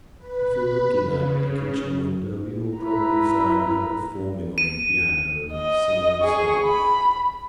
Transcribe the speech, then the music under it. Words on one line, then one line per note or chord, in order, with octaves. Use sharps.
If you'll look in at the kitchen window you'll probably find her performing on the piano and singing a song.
B4
C#3
E4 B4 A#5
D#7
D#5
G#4 C#6
B5